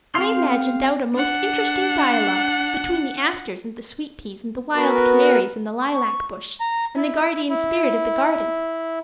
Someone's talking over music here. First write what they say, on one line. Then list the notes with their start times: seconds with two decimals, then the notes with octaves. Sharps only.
I imagined out a most interesting dialogue between the asters and the sweet peas and the wild canaries in the lilac bush and the guardian spirit of the garden.
0.15 C4 G4 A4 F5 C6
1.14 D4 F#5
4.75 B3 F#4 A#4 B4
5.83 C#6
6.60 A#5
6.96 E4
7.49 E4